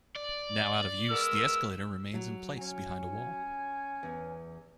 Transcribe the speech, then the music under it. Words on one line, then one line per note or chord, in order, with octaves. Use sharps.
Now out of use, the escalator remains in place behind a wall.
D5
G#3 B3 A#4 E6
F#3
C#4 G#5
E2